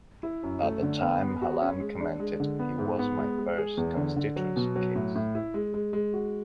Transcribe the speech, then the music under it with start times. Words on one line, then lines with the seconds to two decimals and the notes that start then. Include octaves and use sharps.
At the time Hallam commented He was my first constituency case.
0.23 E4
0.43 F#2
0.63 A3
0.82 D3
1.02 B3
1.22 B3
1.42 F#4
1.61 C#4
1.80 G#3
2.01 D4
2.20 G#3
2.40 D3
2.59 B3
2.79 G#2
2.99 B3
3.18 G#3
3.38 G#3
3.58 G#4
3.77 E2
3.97 D3
4.16 D3
4.36 F#3
4.56 B2
4.76 F#3
4.95 A2
5.15 A2
5.35 E4
5.54 G#3
5.74 G#3
5.93 G#3
6.14 F#4